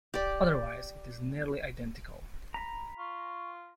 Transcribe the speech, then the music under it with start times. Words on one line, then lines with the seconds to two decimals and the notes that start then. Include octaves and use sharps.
Otherwise it is nearly identical.
0.14 G4 D5
2.54 A#5 B5
2.98 F4 C#6